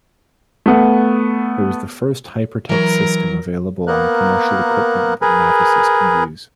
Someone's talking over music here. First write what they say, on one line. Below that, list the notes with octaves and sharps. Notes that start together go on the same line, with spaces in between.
It was the first hypertext system available on commercial equipment that novices could use.
A3 B3
E3 F#3 A#4
A#3 B3 A#4 F#6
G#4 A#4 B4